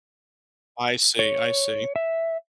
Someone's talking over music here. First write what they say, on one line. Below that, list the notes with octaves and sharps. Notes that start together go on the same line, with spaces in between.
I see I see.
C#5
E5